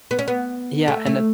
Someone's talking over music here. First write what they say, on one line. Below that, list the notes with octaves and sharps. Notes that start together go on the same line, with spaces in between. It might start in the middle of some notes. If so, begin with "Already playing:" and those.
Yeah, and the
B3
C#4
B3
A3
A3